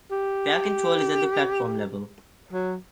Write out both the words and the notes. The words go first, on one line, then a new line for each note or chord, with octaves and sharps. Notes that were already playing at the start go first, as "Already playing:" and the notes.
Fare control is at the platform level.
G4
F#3